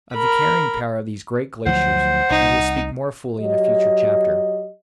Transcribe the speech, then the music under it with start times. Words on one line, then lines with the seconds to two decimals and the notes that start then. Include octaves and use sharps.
Of the carrying power of these great glaciers we will speak more fully in a future chapter.
0.14 A#4 B5
1.66 D2 F3 F#3 C5 F#5
2.30 C2 D#4
3.39 F#3 G4 D#5